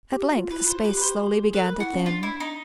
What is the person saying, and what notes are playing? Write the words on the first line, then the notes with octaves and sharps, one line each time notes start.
At length the space slowly began to thin.
G4
F#4
F4
E4 B4
F4 C5
F#4
B4
G4
B4
G4 C5
F#4
G4
G#4
A4 B4
A#4
E4 F#4
C#4
D4 F4
E4
D#4